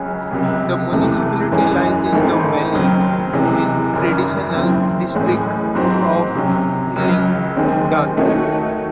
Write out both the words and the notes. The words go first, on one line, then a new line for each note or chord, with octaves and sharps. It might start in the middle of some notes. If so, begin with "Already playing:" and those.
The municipality lies in the valley and traditional district of Hallingdal.
Already playing: C#2 C#3 F#3 C#4 G#4
C#2 C3 F#3
E2 C3 E3 A3
F#2 E3 G#3 C#4 G#4
A1 G#2 D#3 A3 C4
D#2 C#3 F#3 C4
C3 E3 G#3
G#1 F#2 C#3
D#2 C#3 F#3 C4 E4
A1 A2 G#3
G#2 F#3 C4 F#4 C5
C3 F#3 C#4
C#2 C#3 F#3
D#2 D#3 G#3 C4
D#3 A3 D#4 F#4 C#5